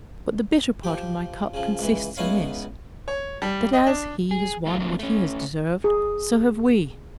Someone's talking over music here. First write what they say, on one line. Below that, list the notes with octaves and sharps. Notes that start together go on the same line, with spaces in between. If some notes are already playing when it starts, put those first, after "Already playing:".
But the bitter part of my cup consists in this,--that as he has won what he has deserved, so have we.
F3 G4
C#3 F3
C#2 E3
C#2 B3 D#4 E4 C#5 F5
C#5
G3
D#5
D4
G#4
E3 G#3 A3 F4
G2 D3 F#3 A3 A#3 C4
A3 C#4
G#4